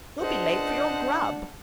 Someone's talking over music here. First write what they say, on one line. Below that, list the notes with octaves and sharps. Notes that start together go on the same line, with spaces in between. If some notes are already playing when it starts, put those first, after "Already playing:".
You'll be late for your grub!'
C#2 D4 C5 D#5 F#5 A5